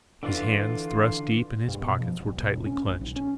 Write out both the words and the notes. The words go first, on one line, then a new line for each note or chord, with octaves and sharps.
His hands, thrust deep in his pockets, were tightly clenched.
D3 E3 D4 F4
G2
B2
F3
D#1
B1
E1
C#4
A1
B1
C#4